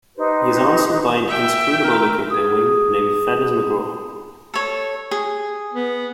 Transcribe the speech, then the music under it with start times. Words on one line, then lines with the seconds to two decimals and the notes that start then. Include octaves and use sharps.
He is answered by an inscrutable looking penguin named Feathers McGraw.
0.16 D#4 G4 B4 C5
1.27 E5 G5
1.84 A#4
2.30 G#4 D#6
4.54 A4 C#5
5.11 G#4
5.73 B3